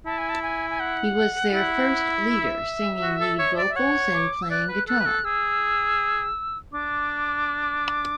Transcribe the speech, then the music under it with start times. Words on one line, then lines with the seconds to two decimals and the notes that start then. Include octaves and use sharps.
He was their first leader, singing lead vocals and playing guitar.
0.06 E4 A5
0.18 G#5
0.29 A5
0.43 G#5
0.70 G#5
0.80 F#5
1.54 E4
2.29 E5
3.02 F#4
3.20 A4
3.39 C#5
3.58 D5
3.69 E5
3.76 C#5 F#5
4.13 D6
4.42 E6
4.51 D5 F#6
4.69 B4
4.88 A4 F#6
5.00 B4
5.06 A4
5.25 G#4 E6
6.73 D4 D6